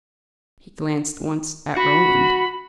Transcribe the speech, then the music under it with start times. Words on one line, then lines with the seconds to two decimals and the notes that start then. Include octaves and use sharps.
He glanced once at Roland.
1.77 F#4 B5